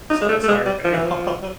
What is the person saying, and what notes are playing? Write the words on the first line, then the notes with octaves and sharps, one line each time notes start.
So, uh, sorry, cut you off.
D#4
G#3
A3
A3
G#3
G3
F3
E3
F3